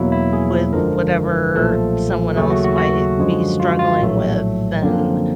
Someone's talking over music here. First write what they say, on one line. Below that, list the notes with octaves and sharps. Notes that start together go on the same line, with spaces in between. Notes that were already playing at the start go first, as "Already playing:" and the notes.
with whatever someone else might be struggling with, and
Already playing: E2 B2 F#3 A#3 E4
E4
G#4
G1 F#2 D3 F3 G#3 A#4
B1 A#2 F3 A3 A4
D#2 C#3 F#3 A3 G#4
F#4
F#4
F#4
F#2 D3 F3 G#3
F4
F4
A#1 A2 F#3 A3
F#2 D3 F3 A#3 C4